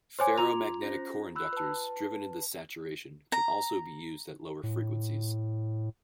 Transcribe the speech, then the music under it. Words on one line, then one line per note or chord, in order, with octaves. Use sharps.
Ferromagnetic core inductors driven into saturation can also be used at lower frequencies.
C5 C#5 G#5 C6 D6 G#6
F4 A#5 F7
C#4 C5 A#6
B5 E6 F#6
B4 A5
A#5
A2